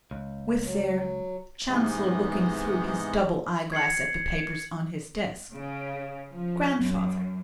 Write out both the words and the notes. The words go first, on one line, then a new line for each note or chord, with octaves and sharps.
"With their"--Chancellor looking through his double eye-glass at the papers on his desk--"grandfather."
C#2
F#3
G#2 C3 E3 G#3 B3 D#4
G#6 C7 C#7 F#7
C#3
F3
F#2